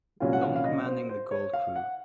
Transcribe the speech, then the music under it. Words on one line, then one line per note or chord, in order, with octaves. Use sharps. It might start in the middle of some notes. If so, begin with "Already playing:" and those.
Long commanding the Gold crew.
C2 A#2 F#3 C#4 F4
F#5
F5
F5
D#5
C5
C5
C#5
F5
F#5